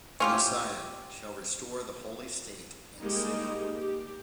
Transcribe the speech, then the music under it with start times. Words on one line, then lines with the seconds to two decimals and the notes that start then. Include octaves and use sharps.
The Messiah shall restore the holy state and city.
0.20 C#4 F4 G4
3.00 G3 G#3 A#3 D#4 G4
3.75 G4